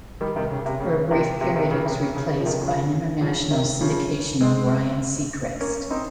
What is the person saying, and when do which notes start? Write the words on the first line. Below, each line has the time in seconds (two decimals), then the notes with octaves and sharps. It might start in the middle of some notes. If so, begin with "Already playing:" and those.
For a brief period it was replaced by an international syndication of Ryan Seacrest.
0.21 D#3 G3
0.36 C3 D#3
0.51 C#3
0.66 C3
0.80 C#3
1.11 C3 D#3
1.41 C3
1.48 C#3
1.55 C3 D#3
1.71 C#3
1.86 C3
2.01 C#3
2.16 C#3
2.31 C#3
2.40 F3
2.46 C3 D#3
2.61 C#3 F3
3.21 C#3 F3
3.51 C3 D#3
3.81 C#3 F3
4.41 G#3 C4
5.61 A#3 C#4
5.90 C4 D#4